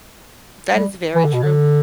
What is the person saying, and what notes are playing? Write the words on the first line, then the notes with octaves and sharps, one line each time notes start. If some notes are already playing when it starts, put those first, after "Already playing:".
That is very true.
G3
E3
D3
B2
D3